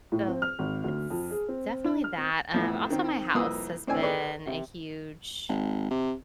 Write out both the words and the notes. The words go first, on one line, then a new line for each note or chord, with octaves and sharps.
So, it's definitely that, um, also my house has been a huge
A2
C4
F6
G#1
D2
F2
G#4
C4
D4
F6
C4
F2 A2 B3
D#3 C4
C2 F2 A#3 B4 D#6 E6
A2 C4 D4 G#5 E6
G#4 A4 B4 D5
C3
G#1
C3